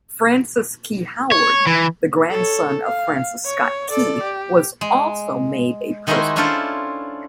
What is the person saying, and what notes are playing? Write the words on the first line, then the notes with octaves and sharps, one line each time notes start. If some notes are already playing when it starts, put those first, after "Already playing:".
Francis Key Howard, the grandson of Francis Scott Key was also made a prisoner.
C#5
E3
A4 C#5
F5
C#5
A4 D5
G4
G#3
D#3 G#3 D#4 E4 F#4 C5
C#4 D4 E4 F4 A4 C5